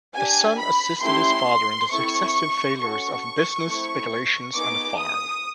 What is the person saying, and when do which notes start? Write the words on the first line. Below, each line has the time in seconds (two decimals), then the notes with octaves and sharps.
The son assisted his father in the successive failures of business, speculations and farm.
0.15 D4 G4 G#5
0.59 B5
1.03 A3 C#4 E4 G4 C6
1.91 C4 E4 A4 C#6
2.80 C#4 F#4 A4 C#6
3.68 A3 C4 E4
4.55 B3 D#4 G#4 D6
5.00 D#6